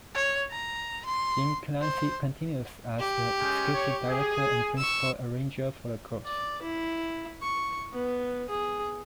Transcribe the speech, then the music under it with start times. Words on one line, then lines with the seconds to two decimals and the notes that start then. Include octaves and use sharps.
Jim Clancy continues as the Executive Director and principal arranger for the chorus.
0.15 C#5
0.51 A#5
1.05 C6
1.81 C5
2.99 G4
3.39 G#3 C#4 G5
3.73 C#5
4.08 G#4
4.78 C#6 E6
6.25 D5
6.62 E4
7.42 C#6
7.93 B3
8.49 G#4